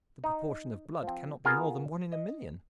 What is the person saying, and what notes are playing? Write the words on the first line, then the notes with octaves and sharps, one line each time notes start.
The proportion of blood cannot be more than one in a million.
D#4
F3 C4
B3 F4 G#4 A#4 F5 G#5
D#5